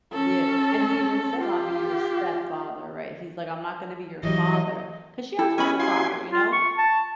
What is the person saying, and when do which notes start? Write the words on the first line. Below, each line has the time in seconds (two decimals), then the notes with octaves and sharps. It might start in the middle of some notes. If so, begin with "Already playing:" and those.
Yeah, and he even said, "I'll be your stepfather," right, he's like, "I'm not gonna be your father," 'cause she has her own father, you know,
0.12 C#4 A4
1.38 F4 G4
4.23 E3 F#3 G3 D#5
5.39 E4 A4
5.58 B3 C#4 D#5 G#5 B5
5.80 E4 F#4 G4 F5 G#5 C6
6.32 F4
6.52 C#6
6.77 A5